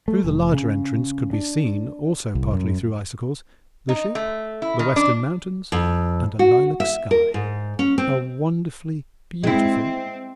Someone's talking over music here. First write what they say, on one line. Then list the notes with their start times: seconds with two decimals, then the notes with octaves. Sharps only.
Through the larger entrance could be seen, also partly through icicles, the ship, the Western Mountains, and a lilac sky; a wonderfully beautiful picture.
0.08 A3
0.24 F1
0.53 C#3
1.33 D4
2.35 C2
2.53 F#2
3.89 D#4
4.15 A3
4.62 E4
4.79 D#3
4.96 D4
5.72 F2
6.39 F#4
6.80 E5
7.11 A#4
7.34 G#2
7.79 C#4
7.98 C4
9.43 G#3 C4 E4